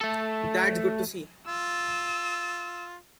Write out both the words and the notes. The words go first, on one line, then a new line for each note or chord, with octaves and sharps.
That's good to see.
A3 A4
F4 E6